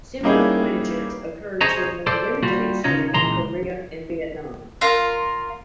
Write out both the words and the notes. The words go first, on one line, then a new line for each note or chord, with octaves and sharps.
Similar coinages occurred to a more limited extent in Korea and Vietnam.
G3 A#3 C#4 D#4 E4 G#4
G#4 C5 C#5 D#5 A#5
A4 C5 D5
G3 A#3 F4 F#4
C#3 D#4 F4 C#5 D#5
C#2 A#2 E3 G#3 A#5 C6
F4 A#4